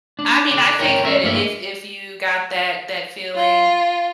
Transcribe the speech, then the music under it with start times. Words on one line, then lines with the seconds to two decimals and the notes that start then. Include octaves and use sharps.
I mean, I think that if if you got that that feeling,
0.19 D4
0.51 D5 F#5
0.79 A#4 C#5 G5
1.03 C#4 A#4 E5
1.23 G2 A#3 E5
3.36 F4